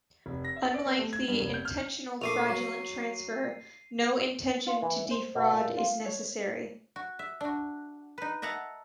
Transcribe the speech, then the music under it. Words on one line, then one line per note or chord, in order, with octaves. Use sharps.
Unlike the intentional fraudulent transfer, no intention to defraud is necessary.
F1
A#6
E5
D5
B3
A3
G#6
G2
F1
G6
F6
A#1 A3 D6 C7 D#7 F7
F#3
F4
E3
C5
B2
A#2
F4
C#5
F#4
E5
D4 F#4
D#4 B4
D#5 E5 F#5 A5 A#5